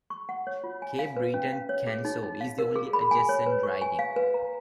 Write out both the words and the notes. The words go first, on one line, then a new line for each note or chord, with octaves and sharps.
Cape Breton-Canso is the only adjacent riding.
C#6
F#5
C#5
F4
G#5
F5
B4
C#4
F5
C#5
G#4
D#4
D#4
F5
A#4
G#4
B5
G#5
C#5
B4
C#6
G#5
F5
B4
A#5